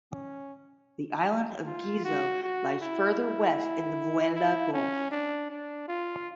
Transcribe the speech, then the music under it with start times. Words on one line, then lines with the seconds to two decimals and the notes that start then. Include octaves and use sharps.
The island of Gizo lies further west in the Vella Gulf.
0.13 C#4
1.66 F4
2.04 F#4
2.43 F#4
2.81 E4
3.20 E4
4.35 E4
4.74 C#4
5.11 D4
5.50 D4
5.88 F4